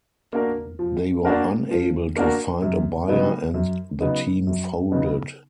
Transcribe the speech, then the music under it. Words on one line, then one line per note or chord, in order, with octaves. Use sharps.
They were unable to find a buyer and the team folded.
A#3 D4 F#4 A#4
F3
A#3 D4 F#4 A#4
F3
A#3 D4 F#4 A#4
F#2
C#3 F#3 B3 D#4
F#2
C#3 F#3 B3 D#4
F#2
C#3 F#3 B3 D#4